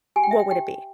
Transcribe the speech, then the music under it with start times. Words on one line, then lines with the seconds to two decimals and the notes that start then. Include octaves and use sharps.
what would it be?
0.16 G4 G#5
0.23 G5
0.31 E5
0.39 G5
0.51 G4 G5